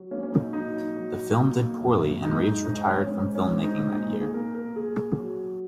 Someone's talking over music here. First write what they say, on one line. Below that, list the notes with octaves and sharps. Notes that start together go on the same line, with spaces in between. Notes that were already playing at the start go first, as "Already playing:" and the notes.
The film did poorly and Reeves retired from filmmaking that year.
Already playing: F#3
A#3 C#4
C#4
D#4
F#3 D#4
F#3
A#3
F#2
G#3 D#4
D#4
G#2 D#4
C#4
G#2 C#4
C#4
G#2
D#4
A#2 D#4
G#4
A#3 A#4
A#4
A#2 G#4
F#3